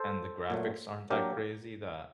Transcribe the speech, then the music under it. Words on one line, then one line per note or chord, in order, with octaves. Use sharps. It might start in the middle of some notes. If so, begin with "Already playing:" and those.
and the graphics aren't that crazy that
Already playing: A4 C5
A#2 F#3 A3
F#3 A#3 D4 G4 A#4